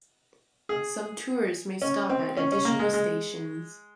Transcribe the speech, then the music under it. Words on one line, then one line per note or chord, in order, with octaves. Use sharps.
Some tours may stop at additional stations.
G#4
C#4
C4
C#4
C#4
A#3
G#3
G#3